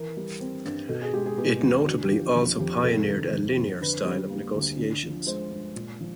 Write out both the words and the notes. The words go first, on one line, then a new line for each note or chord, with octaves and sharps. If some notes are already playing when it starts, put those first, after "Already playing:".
It notably also pioneered a "linear" style of negotiations.
Already playing: E3 A#4
G3
C4
G2
B2 A4
G#4
G#3 G4
G#4
B3 G4
E2
D3 F#4
G4
F3
F2
F2 G4
C3 A4
D#3
F2
F2
D3 B4
G3
A#3
D2
D3
F3
G#3 C5
G2
A#2
F3